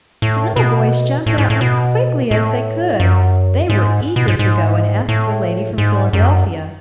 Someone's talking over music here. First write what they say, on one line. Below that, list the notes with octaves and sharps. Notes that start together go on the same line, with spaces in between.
The little boys jumped out as quickly as they could; they were eager to go and ask the lady from Philadelphia.
A2
B2
A2
G#2
A2
B2
A2
F#2
G#2
B2
G#2
G#2
A2
G#2
F#2